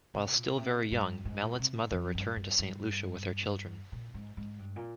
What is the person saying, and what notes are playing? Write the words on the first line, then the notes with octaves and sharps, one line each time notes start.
While still very young Mallet's mother returned to Saint Lucia with her children.
C3
A#2
C3
G2
G#2
A#2
C3
G#2
F2
G2
G2
G2
A#2
G#2
G#2
G2
A#2